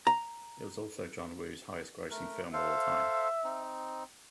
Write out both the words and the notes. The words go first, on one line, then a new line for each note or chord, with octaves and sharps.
It was also John Woo's highest grossing film of all time.
A#5
A3 A#4
A4 C5 E5 F5
C4 D#4